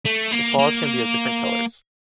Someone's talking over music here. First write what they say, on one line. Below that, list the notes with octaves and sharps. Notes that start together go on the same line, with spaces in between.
The paws can be of different colors.
A3
A#3
A#3